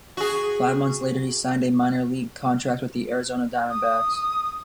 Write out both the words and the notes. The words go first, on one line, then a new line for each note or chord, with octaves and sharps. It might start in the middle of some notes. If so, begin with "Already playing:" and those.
Five months later, he signed a minor league contract with the Arizona Diamondbacks.
F#4 G#4
D#6